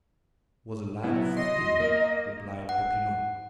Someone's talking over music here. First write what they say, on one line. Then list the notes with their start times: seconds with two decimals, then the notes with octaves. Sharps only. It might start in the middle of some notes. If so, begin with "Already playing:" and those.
"Was a lad of fifteen," replied Peppino.
1.03 F#3 B3 E4
1.37 D#5 C6
1.80 A#3
2.69 F#5